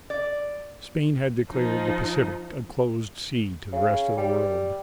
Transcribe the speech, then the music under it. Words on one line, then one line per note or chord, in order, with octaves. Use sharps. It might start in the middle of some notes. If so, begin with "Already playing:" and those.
Spain had declared the Pacific 'a closed sea' to the rest of the world.
D5
F3 D#4
C#3
G3